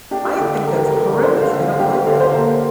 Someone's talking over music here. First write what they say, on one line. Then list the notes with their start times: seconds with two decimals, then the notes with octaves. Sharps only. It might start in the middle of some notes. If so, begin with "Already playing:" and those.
I think that's horrendous. I don't like that.
0.11 D4 G4
0.24 F4
0.36 D3 G4
0.67 D3 A#4
0.77 G4
0.86 A#4
0.95 D3
1.13 A#4
1.23 D3 C5
1.42 F5
1.51 D3
1.60 F4
1.79 D3 G4
2.07 D3 F5
2.20 C5
2.35 A#3 A#4